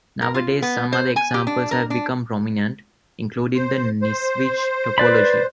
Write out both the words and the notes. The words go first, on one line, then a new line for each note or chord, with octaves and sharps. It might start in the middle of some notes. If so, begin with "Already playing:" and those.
Nowadays some other examples have become prominent, including the Nisnevich topology.
A#4
F4
B3
C5
G#5
G4
D4
A#4
D4
C5
C5
B4 D5 B5